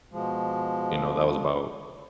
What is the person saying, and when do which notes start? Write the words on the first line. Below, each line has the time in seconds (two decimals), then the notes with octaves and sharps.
you know, that was about
0.12 B2 F3 G#3